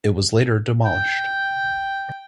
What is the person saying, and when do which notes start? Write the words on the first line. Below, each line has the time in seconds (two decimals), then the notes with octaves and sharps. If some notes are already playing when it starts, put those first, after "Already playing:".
It was later demolished.
0.85 G5